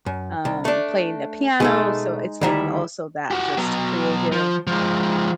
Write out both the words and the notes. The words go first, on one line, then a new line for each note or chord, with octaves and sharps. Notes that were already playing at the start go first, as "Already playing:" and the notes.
um, playing the piano, so it's like also that just creative
F#2
C2
A3 D4
B2 G#3 A3 D#4 A4
D2 D#3 G3 E4 E5
F#4 G4
F#3 B3
F3
F3 G#3